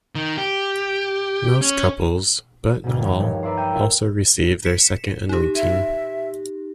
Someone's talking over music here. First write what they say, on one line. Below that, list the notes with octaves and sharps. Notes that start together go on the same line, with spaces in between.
Most couples, but not all, also received their Second Anointing.
D#3
G4
C#4
D2 G#2
E1
D#1 G2 F3 C#5
B4 D5 E5 A#5 C6
E5 G5 G6 D#7
C4 C#4 E4 F4 A#4
B6 C#7 E7
D#4 G4
E5